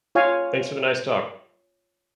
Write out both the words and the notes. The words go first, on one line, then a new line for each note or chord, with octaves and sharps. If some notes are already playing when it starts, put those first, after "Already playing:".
thanks for the nice talk.
F4 C#5 F5 G#5